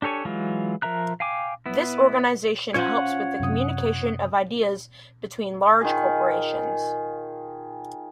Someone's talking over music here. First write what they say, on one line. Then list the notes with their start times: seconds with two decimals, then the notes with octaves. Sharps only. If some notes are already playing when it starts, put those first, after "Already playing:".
This organization helps with the communication of ideas between large corporations.
0.02 D4 G4 A4 C#5 G#5
0.25 E3 F#3 G#3 F4
0.82 F3 A#4 E5 A#5 F#6
1.20 F5 G5 G#5 D6
1.66 B3 E4
2.74 C#4 F4 C5 C#5 F#5
3.40 F#2 C3 D#6
5.81 D#3 F4 G#4